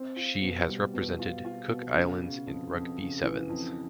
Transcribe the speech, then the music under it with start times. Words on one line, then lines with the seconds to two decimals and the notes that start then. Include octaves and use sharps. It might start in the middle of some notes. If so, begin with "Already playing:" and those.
She has represented Cook Islands in rugby sevens.
Already playing: C4
0.16 F4
0.42 B2
0.68 G3
0.93 B2
1.19 F4
1.45 F4
1.69 B2
1.95 C#3
2.21 C#3
2.47 F2
2.71 F2
2.98 C#3
3.23 E3
3.49 F2